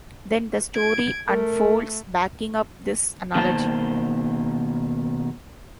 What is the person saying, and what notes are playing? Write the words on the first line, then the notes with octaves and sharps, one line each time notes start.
Then the story unfolds backing up this analogy.
G#6 D7
A3 A#4
B2 D#3 A#3 C5 A5